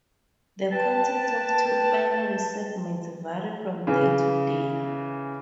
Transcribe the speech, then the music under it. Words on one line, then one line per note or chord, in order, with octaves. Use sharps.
The content of two final segments vary from day to day.
B4 G5 A5
C#3 E3